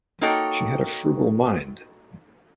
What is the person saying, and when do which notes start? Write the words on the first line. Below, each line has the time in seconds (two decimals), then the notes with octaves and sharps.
She had a frugal mind.
0.21 A#3 D#4 F#4 A4 C#5 G5